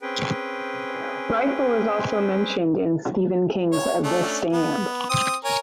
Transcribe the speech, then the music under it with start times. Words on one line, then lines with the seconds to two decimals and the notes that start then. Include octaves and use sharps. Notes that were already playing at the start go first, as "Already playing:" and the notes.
Rifle is also mentioned in Stephen King's "The Stand".
0.02 C4 C#4 G#4 B4 G5
3.72 C#5
4.04 A3 C#4 D4
4.53 B3
5.10 C4 D#6
5.45 A#4 C#5 G#5